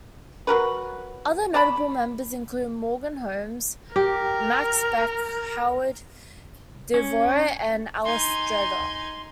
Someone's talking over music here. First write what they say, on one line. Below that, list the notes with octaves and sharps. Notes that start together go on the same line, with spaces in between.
Other notable members included Morgan Holmes, Max Beck, Howard Devore and Alice Dreger.
F#3 F#4 A#4 B4
C#5 D5 A5 B5
G4 A#4
C#4
D#4 G#5 C6